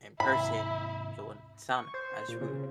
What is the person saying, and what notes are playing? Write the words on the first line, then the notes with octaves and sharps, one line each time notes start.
in person, it wouldn't sound as rude.
G#2 C3 E4 B5
C#6
C5
A#2
C#3